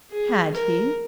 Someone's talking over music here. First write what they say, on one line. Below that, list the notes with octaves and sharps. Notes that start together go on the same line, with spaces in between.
Had he?
G#4
A#4